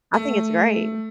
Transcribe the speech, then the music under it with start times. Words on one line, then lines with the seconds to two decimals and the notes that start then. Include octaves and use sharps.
I think it's great.
0.14 A3